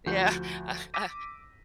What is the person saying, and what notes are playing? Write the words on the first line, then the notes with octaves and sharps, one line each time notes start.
Yeah, I I
D2 F3 F#4 G6
D6 E6 A#6 B6 D#7